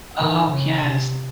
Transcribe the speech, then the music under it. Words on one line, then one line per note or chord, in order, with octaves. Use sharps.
Oh, yes.
D#3
C#3
C3